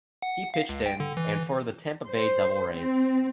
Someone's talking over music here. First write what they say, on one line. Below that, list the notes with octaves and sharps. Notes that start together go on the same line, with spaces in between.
He pitched in and for the Tampa Bay Devil Rays.
F#5
F5
C#2
G5
D3
E3
C5
C4